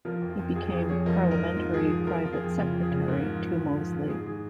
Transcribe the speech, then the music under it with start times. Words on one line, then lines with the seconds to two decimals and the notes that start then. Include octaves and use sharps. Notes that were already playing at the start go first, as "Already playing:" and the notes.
He became Parliamentary Private Secretary to Mosley.
0.05 F3 F4 A#4
0.22 F2
0.30 F4
0.39 F2
0.55 F2 G#4
0.72 F2 G#4
0.89 F2 G#4 C#5
1.06 F3 A#4 D#5
1.23 G#2
1.31 A#4 D#5
1.40 F3
1.57 G#2 F4
1.73 F3 G#4
1.91 F3 G#4
2.07 F3 F4 A#4
2.24 F3 F4
2.33 G#4
2.41 F2
2.58 C#3 F4
2.74 F2
2.83 G#4
2.91 C#3
3.08 G#2 F4 A#4
3.25 F3
3.42 F3
3.59 F3
3.75 F3
3.92 F3
4.09 G#2 G#4
4.26 D#3 G#4